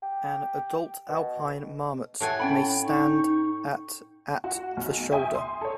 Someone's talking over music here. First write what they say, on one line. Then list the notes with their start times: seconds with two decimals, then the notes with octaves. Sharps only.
An adult alpine marmot may stand at at the shoulder.
0.03 G4
1.08 B2
2.20 A2 F#5 G#5 A5
2.40 C#4 G5 A5 B5
2.85 D#4 C#6
4.44 F#4
4.77 B1
5.12 E5 G5 G#5 D#6
5.35 C6
5.61 A4 C#5